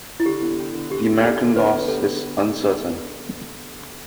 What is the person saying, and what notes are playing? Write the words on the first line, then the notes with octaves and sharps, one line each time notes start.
The American loss is uncertain.
E4
D3 G4
B3
G4
D3
D3 G4
B3
G4 A4
D3
D3 B4
B3
G4 A4